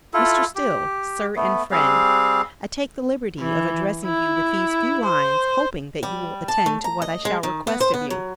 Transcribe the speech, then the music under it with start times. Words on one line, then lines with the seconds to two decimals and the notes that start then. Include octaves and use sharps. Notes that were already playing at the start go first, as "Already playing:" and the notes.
Mr. Still:--Sir and Friend--I take the liberty of addressing you with these few lines hoping that you will attend to what I shall request of you.
0.14 E4 F4 A4
0.55 G4
1.36 A3 B3
1.71 G3 C4 G#4 F5
3.39 E3
4.05 E4
5.04 C5
6.03 G3
6.48 A5
6.66 A3
6.84 A#5
7.02 D#5
7.25 G#3
7.43 D#3
7.67 B3
7.80 C5
7.94 B3
8.10 F#3